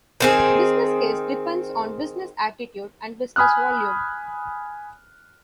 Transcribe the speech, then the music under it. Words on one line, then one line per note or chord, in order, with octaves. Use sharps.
Business case depends on business attitude and business volume.
D#3 C4 G#4
G#5 B5 D#6 F6 F#6